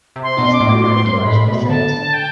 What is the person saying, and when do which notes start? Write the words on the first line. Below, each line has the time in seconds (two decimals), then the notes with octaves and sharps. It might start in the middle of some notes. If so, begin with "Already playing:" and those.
It is now an archaeological site.
0.16 C3
0.23 C6
0.38 B2
0.53 D6
0.60 A2
0.82 A2 C6
1.05 G2
1.25 A2 B5
1.48 B2
1.69 D3 A5
2.14 G5